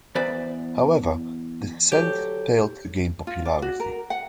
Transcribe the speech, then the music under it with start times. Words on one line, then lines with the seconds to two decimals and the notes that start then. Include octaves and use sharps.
However, this scent failed to gain popularity.
0.15 E2 B4 C5 D5 B5
1.92 D2 F#3 G4 A4
3.27 F4
3.45 D5
3.62 F#4
3.80 A#4
4.10 F#5